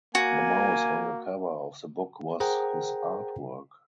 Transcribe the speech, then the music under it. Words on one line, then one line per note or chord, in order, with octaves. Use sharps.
The mouse on the cover of the book was his art work.
A#3 F#4 G#5
G#4 A#4 C5 F#5 G5 A#5